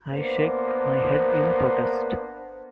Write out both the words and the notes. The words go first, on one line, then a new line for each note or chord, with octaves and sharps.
I shake my head in protest.
A#3 B3 D4 C5